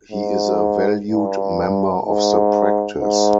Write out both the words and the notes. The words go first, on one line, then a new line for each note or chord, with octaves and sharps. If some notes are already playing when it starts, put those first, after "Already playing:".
He is a valued member of the practice.
G#2
G2
G#2
G#2